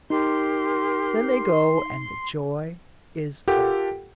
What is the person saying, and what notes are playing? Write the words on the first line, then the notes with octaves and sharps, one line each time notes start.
Then they go and the Joy is over.
D#4 G4 A#4 C6
F4 G4 A4 A#4 F#5 G5